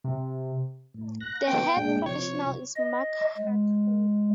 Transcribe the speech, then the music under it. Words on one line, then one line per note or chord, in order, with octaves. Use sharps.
The Head Professional is Mark Heartfield.
C3
A2
F#6 A#6
B3 G5
A#2 G#3 D4
C3 F3 C#5
D#5
G#3